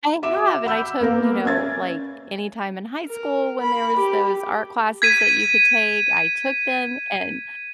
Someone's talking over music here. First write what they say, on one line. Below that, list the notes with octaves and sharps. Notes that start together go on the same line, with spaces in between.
I have, and I took, you know like, anytime in high school when there was those art classes that you could take, I took them, and
F#4 E5 D6 E7
F#5 B5 E6 G6
A#3 B3 A#4 F5
C#4 E5 G#6 A6
A#4
B5
G4
G#6 B6 D#7